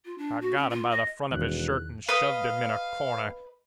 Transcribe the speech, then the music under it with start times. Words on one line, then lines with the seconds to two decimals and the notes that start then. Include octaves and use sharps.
I got him by the front of his shirt and shoved him in a corner.
0.05 F4
0.18 D4
0.41 F#4
0.57 C#4
0.70 F4
0.91 D#5
1.31 E1 E2 D#3 F#6
2.09 B4 D#5 F5